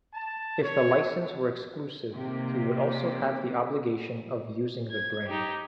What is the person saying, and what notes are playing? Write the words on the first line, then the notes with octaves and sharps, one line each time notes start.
If the license were exclusive, he would also have the obligation of using the brand.
A5
C#5
C3 D#3 A#3 G4
G#6
D#4 G4